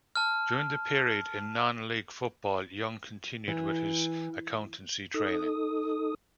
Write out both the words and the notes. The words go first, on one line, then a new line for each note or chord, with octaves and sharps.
During the period in non-league football Young continued with his accountancy training.
A5 F6
E3
D#4 A4 D#6